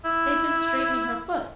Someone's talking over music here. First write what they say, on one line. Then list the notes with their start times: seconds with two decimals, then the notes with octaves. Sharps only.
They've been straightening her foot.
0.05 E4